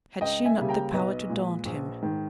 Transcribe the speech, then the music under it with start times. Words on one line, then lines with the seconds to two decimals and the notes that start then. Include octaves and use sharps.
Had she not the power to daunt him?
0.21 C#2 D#5 G5
0.45 E5 G#5
0.57 C#3 G3 A#3
0.69 G5 A#5
0.93 B1 B4 D#5
1.29 A#2 G#3
1.65 A#1
2.02 G#2 D#3